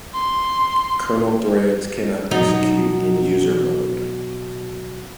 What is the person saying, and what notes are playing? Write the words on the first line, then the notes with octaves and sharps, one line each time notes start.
Kernel threads cannot execute in user mode.
C6
B2 F#3 D#4 F#4